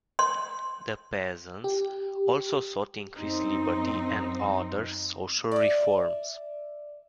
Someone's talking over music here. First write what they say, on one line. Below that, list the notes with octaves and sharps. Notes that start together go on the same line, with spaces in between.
The peasants also sought increased liberty and other social reforms.
C6
G4
F#2 C4 D#4
D5 E5